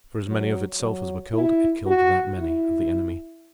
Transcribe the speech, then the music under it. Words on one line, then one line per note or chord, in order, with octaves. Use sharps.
For as many of itself as were killed, it killed that many of the enemy.
F#3
F#3
E4
F#4
E4